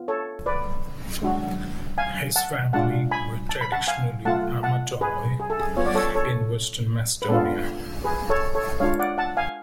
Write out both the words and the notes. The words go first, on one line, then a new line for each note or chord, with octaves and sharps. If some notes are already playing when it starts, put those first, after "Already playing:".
His family were traditionally Armatoloi in Western Macedonia.
Already playing: B3 F4
A4 C#5
B4 D5
G#3 D4 F#4
F5 G#5
F#5 A5
G#3 D4 F4 F#5 A5
G#5 B5
A5
B5
F#5 A5
F5 G#5
A3 F4 F#5 A5
F#5 A5
G#4 B4
G#4
A4
G#4
B3 F4 C#5
D5
A4 C#5
A4 C#5
B4
G#3 B3 D4 F4 A4
G#4 B4
A4 C#5
A4 C#5
G#3 D4 F4 C#5 F5
D5 F#5
F#5 A5
F5 G#5